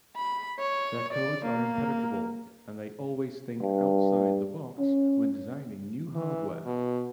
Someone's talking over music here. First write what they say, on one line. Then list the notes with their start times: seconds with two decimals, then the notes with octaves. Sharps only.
Their codes are impenetrable, and they always think "outside-the-box" when designing new hardware.
0.16 B5
0.59 C#5
1.12 D5
1.44 A#3
3.62 G2
4.79 C#4
6.15 E3
6.65 B2